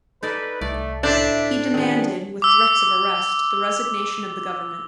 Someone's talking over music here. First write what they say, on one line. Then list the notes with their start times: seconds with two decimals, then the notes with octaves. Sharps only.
He demanded, with threats of arrest, the resignation of the government.
0.23 D#4 A4 B4 D5
0.61 C2 A3 D5
1.03 A2 D4 C5 D5 E5
1.74 D#3 F3 C4 G#4
2.42 D6 E6